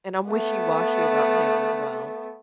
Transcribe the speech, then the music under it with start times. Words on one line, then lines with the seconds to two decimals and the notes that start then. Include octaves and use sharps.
and I'm wishy-washy about him as well.
0.30 A3 B3